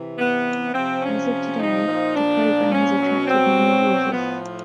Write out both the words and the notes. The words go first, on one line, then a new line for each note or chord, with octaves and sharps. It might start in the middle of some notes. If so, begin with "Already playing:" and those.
As of today, the program has attracted many users.
Already playing: C3 E3
B3
C3 F3 C4
C#4
D#4
A#2 F3
D4
C#4
B2 F#3
C4
A2 F3 B3